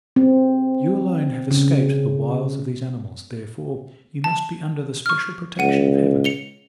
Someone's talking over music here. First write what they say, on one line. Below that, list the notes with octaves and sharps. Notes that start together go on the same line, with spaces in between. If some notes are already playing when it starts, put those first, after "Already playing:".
You alone have escaped the wiles of these animals, therefore you must be under the special protection of Heaven.
C4
C#3
A5
C#6 F6
C#2 F#5 D#7
C#7 F7 G7